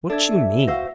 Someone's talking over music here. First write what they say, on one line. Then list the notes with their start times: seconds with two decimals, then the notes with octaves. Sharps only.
"What you mean?"
0.10 D4 A4 E5 G#6
0.67 F#4 C5 F5 F#5 E6 A#6